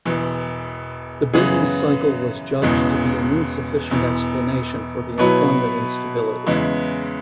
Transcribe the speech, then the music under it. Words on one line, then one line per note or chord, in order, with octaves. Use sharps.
The business cycle was judged to be an insufficient explanation for the employment instability.
E1 E2 E3
F#2 C#3 E3 B3 G#4
E1 E2 C#3 E3 G#3
E1 E2 E3
B2 F#3 E4 B4
E2 C#3 E3 G#3 E4